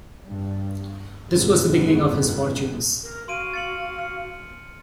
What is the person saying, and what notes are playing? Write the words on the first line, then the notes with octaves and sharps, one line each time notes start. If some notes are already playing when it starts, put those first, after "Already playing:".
This was the beginning of his fortunes.
G2
G1 F2 G#2 B2 G#3 B3
A#4
F#4 F5 C6 D7 D#7
A6 C#7 F#7
F6 C#7